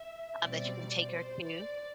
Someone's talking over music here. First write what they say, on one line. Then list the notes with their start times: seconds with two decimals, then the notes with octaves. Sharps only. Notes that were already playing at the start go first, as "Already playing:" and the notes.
uh, that you can take her to
Already playing: E5
0.41 B2 G3 C4 D5
1.10 C5
1.45 D5